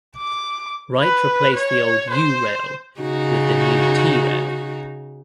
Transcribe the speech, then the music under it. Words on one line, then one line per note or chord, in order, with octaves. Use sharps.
Wright replaced the old "U" rail with new "T" rail.
D6
B4
C#5
C5
C#3 D#4 F#4